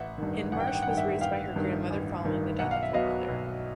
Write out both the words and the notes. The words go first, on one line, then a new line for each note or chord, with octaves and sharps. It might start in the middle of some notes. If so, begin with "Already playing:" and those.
Hindmarsh was raised by her grandmother following the death of her mother.
Already playing: A1 E5 F#5
G2 D#3
A1 F#5
G5
F#5
G5
F#5
G2 D#3 G5
E5 F#5
A1 F5 G5
G2 D#3
A1
G2 D#3
B1 F#5
F5
E5
B2 F#3 B3 D#5 F5
B1